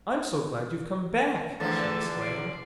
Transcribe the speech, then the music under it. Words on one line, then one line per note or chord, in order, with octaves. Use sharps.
"I'm so glad you've come back!" she exclaimed.
E2 D3 F3 A3 A4
D5 C6